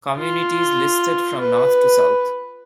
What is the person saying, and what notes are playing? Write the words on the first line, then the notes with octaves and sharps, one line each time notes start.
Communities listed from north to south.
F4
B4